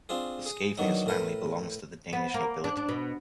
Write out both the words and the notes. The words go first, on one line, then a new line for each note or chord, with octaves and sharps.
The Scavenius family belongs to the Danish Nobility.
C4 D4 F4 G#4
G#4
E2 D#3 F#3 D4 D#4
A2 A#4 B4
B3
A#3
D4
D4
B2